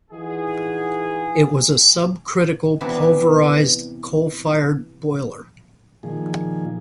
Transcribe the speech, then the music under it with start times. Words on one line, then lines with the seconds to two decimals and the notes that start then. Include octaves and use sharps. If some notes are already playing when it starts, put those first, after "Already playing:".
It was a 'subcritical' pulverized coal-fired boiler.
0.11 E3 D#4 F4 F#4 G#4
2.81 C3 E3 B3 D4 G4 B4
6.03 A#2 D#3 F3 G#4